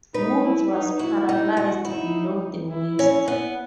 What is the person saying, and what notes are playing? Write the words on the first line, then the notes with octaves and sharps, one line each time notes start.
Woods was paralysed below the waist.
D#4 B4
E4
D#4
E4 F#4
D#4
F#4
D#4 E4
E4
C#4
B3